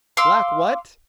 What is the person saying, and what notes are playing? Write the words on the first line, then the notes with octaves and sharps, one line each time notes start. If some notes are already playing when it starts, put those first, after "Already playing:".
"Black what?"
F5 C6 D6 E6